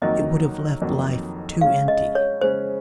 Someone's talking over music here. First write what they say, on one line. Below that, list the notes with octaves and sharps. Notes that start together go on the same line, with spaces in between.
It would have left life too empty.
F2 D#3 F#3 A#3 D#4 D#5
F2 D#3 F#3 A#3 D#4
C#3 G#3 C#4 F5
D#5
C#5
C#3 G#3 C#4 C5